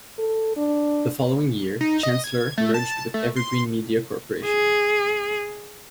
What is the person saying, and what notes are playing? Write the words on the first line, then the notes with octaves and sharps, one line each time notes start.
The following year, Chancellor merged with Evergreen Media Corporation.
A4
D4
D#4
D#5
G#6
A3
A5
A3
C6
G#4